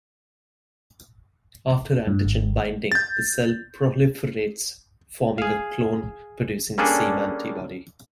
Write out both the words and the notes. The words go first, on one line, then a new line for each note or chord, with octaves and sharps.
After antigen binding the cell proliferates, forming a clone producing the same antibody.
G2
G#1
G6 A6
G#4 F5
G3 A#3 C#4 D4 G#4 A4